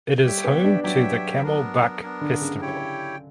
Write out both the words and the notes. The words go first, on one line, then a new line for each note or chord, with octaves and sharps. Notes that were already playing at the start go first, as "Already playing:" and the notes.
It is home to the Carmel Bach Festival.
G3 G4 C#5 E5 G5
B3
D4
F#3 G4 C#5 E5 G5
B3 D4 A#4
B3 D4 A#4
D3
C#3
E4 G4 C#5 G5